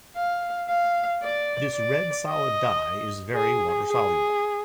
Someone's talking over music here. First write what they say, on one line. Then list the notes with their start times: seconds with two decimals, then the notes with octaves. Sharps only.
This red solid dye is very water-soluble.
0.16 F5
0.69 F5
1.23 D5
1.76 D5
2.29 D#5
3.35 G#4
3.88 G#4